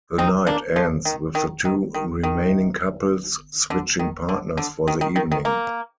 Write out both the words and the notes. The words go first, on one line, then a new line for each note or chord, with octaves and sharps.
The night ends with the two remaining couples switching partners for the evening.
C4 D#4
A#3 D4
F3
D#3
D#3
D#3
D#3
D#3
D3
D#3
D3
D3
D#3
D#3
D#3
D#3
A#3